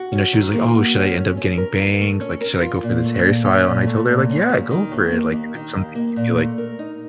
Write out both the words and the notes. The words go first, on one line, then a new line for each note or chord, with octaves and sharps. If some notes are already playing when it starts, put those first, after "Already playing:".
you know, she was like, "Oh, should I end up getting bangs? Like, should I go for this hairstyle?" And I told her, like, "Yeah, go for it. Like, if it's something you feel like
Already playing: F#4
C#4
D#3
A#3
F#4
C#4
A3
C#4
A#4
F4
A3
C#4
A#4
F4
A#2
A3
A#2
C#4
A#2
A3
A#2
C#4
D#2
D#3
D#2
A#3
D#2
D#3
D#2
A#3
A#2
A3
A#4
D#4